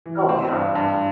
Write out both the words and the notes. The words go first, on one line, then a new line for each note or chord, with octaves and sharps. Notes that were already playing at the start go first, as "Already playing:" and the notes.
Oh, yeah.
E3
C4
G2
G2